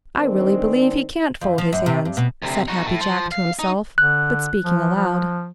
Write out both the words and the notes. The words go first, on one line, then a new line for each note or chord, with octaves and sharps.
"I really believe he can't fold his hands," said Happy Jack to himself, but speaking aloud.
D#3 G#3 C4 D4
F2
F3
F#2
C3
G2
B2
D2 C3
D#4 F#4
A2
F3
F5
D#4
D3 F#6
F3
F3